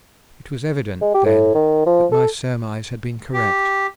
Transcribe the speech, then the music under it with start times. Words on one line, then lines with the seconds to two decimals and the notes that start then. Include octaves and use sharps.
It was evident then that my surmise had been correct.
1.01 G#3
1.14 G4
1.26 A2
1.54 D#3
1.86 F3
2.11 A4
3.33 G4